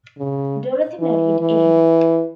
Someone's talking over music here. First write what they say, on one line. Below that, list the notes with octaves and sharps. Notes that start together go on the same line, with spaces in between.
Dorothy married A.
C#3
E3
E3